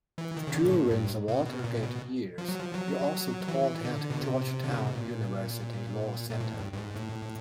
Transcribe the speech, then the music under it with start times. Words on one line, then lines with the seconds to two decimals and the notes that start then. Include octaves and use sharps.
During the Watergate years, he also taught at Georgetown University Law Center.
0.18 E3
0.37 D#3
0.47 C#3
0.55 D3
0.65 A#2
0.73 A2
0.91 G2
1.28 B2
1.46 B2
1.64 A#2
1.82 B2
2.38 F3
2.48 F#3
2.59 F3
2.75 F#3
3.48 E3
3.85 D3
4.10 B2
4.21 C3
4.64 D3
4.71 C#3
4.78 C3
4.87 B2
4.95 A#2
6.30 A#2
6.41 A2
6.59 G2
6.72 G2
6.78 G#2
6.96 A2